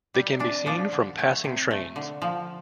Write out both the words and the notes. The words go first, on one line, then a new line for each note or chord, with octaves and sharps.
They can be seen from passing trains.
G3
C3 D4
F3 D4
D3
A3
C3
A3
D3
F3